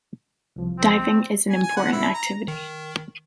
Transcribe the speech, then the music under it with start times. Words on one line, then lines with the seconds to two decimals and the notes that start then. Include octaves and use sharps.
Diving is an important activity.
0.56 C2 F3
0.79 C4
1.50 G#5
1.63 G#5
1.77 F#5
1.92 E4
2.14 A#5
2.48 D#3